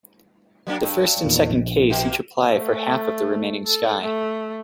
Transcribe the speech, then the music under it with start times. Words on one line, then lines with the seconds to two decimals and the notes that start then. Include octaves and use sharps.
The first and second case each apply for half of the remaining sky.
0.67 F#3 A#3 D4
0.82 G2
1.24 E2 A#2 D#3
1.50 A#1
1.90 B2 A#3 G4
2.54 A3
3.66 A4
4.01 A3